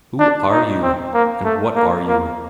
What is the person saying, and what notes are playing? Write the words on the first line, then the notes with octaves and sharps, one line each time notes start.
Who are you? and what are you?
D4
D#4
C4
A#3
A3
A#3
A#3